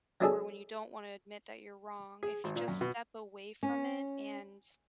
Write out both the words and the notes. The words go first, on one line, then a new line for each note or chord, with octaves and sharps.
or when you don't wanna admit that you're wrong, if you just step away from it and
F#3 B3 D4 D#4 G#4 A4
G#4
G#1
A#2
F#2
B2
C#4